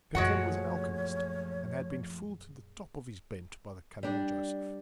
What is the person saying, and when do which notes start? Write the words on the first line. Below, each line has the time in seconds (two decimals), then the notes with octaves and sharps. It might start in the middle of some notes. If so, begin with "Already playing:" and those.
Pinto was an alchymist, and had been fooled to the top of his bent by the cunning Joseph.
0.15 F#2 A#2 F3 G#3 A3 F#4 C#5 F#5
4.03 G3 D4